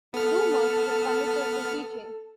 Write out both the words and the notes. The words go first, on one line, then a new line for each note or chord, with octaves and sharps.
Dumas is committed to teaching.
B3 A4 F6